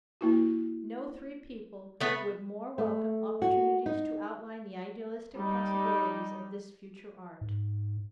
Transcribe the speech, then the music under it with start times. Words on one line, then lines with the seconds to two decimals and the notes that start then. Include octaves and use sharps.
No three people would more welcome opportunities to outline the idealistic possibilities of this future art.
0.21 A#3 E4 F#4
2.01 A3 B3 B4
2.78 A3
3.42 F#4
3.86 D#4
5.35 G3 D#4
7.41 G#2